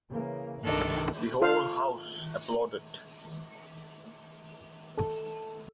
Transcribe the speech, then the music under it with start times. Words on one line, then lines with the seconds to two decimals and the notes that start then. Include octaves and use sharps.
The whole house applauded.
0.10 C#3 E3 A#3
0.64 C2 G2 D#3 D4 A4
1.42 F4 A4 C5 F5
4.97 A4